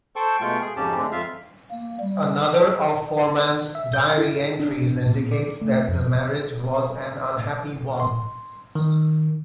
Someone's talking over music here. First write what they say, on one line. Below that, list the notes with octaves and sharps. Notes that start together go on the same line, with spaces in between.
Another of Forman's diary entries indicates that the marriage was an unhappy one.
A4 C5 G5 A5 C#6 E6
B2 G#3 A3 F4 G5 C#6
G#4
F2 G#2 C#3 C#4 G4 A5
D3 G#3 A3 C4
F2 F4 E5 F5
A#3
G3
E5
G6
E4
D4
A#2
D5
A3
F2
C6
D#3